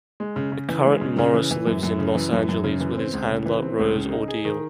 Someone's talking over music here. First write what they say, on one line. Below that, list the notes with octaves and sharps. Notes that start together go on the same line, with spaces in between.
The current Morris lives in Los Angeles with his handler, Rose Ordile.
G#3
C#3
C#3
E3
G#3
C#3
C#3
E3
E3
F#2
F#2
C#3
E3
F#2
F#2
C#3
E3
C4
C#2
C#3
E3
C4
C#2
C#3
D#4
G#4
D#3